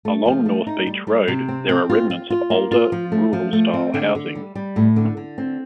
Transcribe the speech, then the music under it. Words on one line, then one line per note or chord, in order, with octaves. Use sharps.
Along North Beach Road, there are remnants of older, rural-style housing.
A3
F3
A3
D#4
G3
G3
C3
C4
C4
F4
F4
F4
A#3
F4
F3
A3
F3
A3
C4
D3
D3
G3
G3
A2
D3
D3
C4